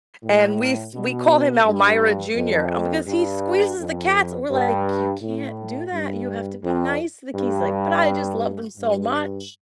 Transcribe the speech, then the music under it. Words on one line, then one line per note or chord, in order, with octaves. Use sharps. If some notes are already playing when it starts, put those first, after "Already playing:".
And we s we call him Elmyra Jr. Um, because he squeezes the cats and we're like, "You can't do that. You have to be nice to the k" He's like, "But I just love them so much."
A2
B2
G2
F2
G2
F2
G2
A2
G2
F2
G2
G2